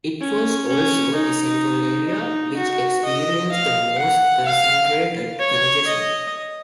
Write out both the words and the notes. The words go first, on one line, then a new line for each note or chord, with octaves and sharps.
It was also the central area which experienced the most concentrated congestion.
C#4
C#4
D#4
D#4
F#4
D#5
F5
F#5
F5
C#5
D#5